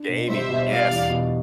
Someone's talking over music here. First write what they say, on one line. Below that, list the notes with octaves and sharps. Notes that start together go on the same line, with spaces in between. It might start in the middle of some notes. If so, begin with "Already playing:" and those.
Gaming. Yes.
Already playing: D4
B2
G3 C5 E5
B2
G3 D5 F5
E2
B2